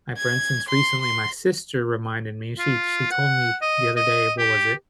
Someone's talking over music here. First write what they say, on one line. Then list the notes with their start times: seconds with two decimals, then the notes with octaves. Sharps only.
I for instance, recently my sister reminded me, she she told me the other day what was it?
0.17 G#6
0.68 C6
1.01 C6
2.59 F4
3.11 F#5
3.62 D#5
3.97 D#5
4.38 G4